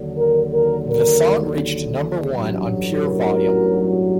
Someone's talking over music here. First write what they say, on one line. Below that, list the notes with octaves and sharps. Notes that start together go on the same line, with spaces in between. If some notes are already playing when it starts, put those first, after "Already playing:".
The song reached number one on Pure Volume.
Already playing: D#2 D3 F#3
A#4
A#4
A#4
A1 G2 F#3
A#4